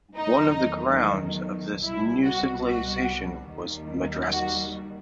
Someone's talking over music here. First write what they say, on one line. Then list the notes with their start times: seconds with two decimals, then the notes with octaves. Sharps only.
One of the grounds of this new civilization was madrasas.
0.16 E2 D#3 F#3 A3 D#4
1.82 C2 B2 G3 E4
2.24 F#4
2.66 F#4
3.49 D#2 D#3 G3
4.32 F#4